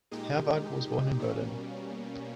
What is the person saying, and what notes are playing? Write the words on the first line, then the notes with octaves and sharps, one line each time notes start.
Herwarth was born in Berlin.
A#2 G#3 D#4 G4
B2 G3 A#3 C#4